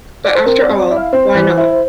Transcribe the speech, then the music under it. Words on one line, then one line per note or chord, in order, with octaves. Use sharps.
But after all — why not?
D5
C5
C4 A#4
D5
C4
D5
E4
F5
C4 C5
E3
E4